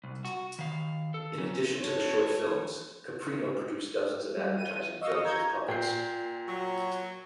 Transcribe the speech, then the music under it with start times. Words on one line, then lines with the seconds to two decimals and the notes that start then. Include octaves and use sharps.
In addition to the short films, Caprino produced dozens of advertising films with puppets.
0.04 C2
0.25 F#4
0.59 D#3 F5
1.14 A4
1.38 F#3 C#4
1.80 A4 C#5
4.37 G3
4.56 D#7
5.01 D#5 F5 C#6 E6
5.24 A#5 C#6 G6 G#6
5.68 A#2 G5 G6 C7
6.47 F#3